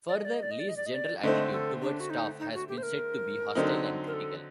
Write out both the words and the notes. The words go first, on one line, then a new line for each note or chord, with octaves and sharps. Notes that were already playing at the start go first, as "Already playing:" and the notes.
Further, Li's general attitude towards staff has been said to be 'hostile' and 'critical'.
D5
D#5
D5
D#5
D5
D#5
D5
D#5
D5
D#5
D5
D3 A3 C4 D#5
A4
D4
F#4
D#4
D#4
F#4
G4
C5
A#4
D3 F#3 C4 D#4
A#4
A4